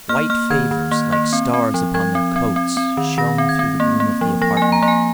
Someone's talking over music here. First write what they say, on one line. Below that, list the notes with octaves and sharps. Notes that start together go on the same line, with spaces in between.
White favors like stars upon their coats shone through the gloom of the apartment.
A#3 F6
A#3 F6
D#3 G#6
D#3
A#3
A#3
C4
C4
F3
F3 G#6
C4
C4
C4
C4
D#3
D#3 A#6
C4
G#6
C4
A#3
A#3
F3
F3 A#6
A#3 G#5
A#5
A#3
G#5